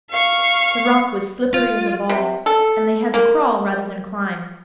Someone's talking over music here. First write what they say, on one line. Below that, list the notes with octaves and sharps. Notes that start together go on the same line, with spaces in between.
The rock was slippery as a ball, and they had to crawl rather than climb.
F5 C#6
F4
C3
A4
A#3